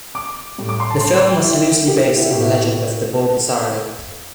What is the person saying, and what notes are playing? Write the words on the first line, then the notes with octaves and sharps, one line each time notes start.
The film was loosely based on the legend of the Bulgasari.
D6
A2 G3
D6
C6
A5
C6
C6
G5
E4
G4
G4
E4
A2 A3 G4
E4
G4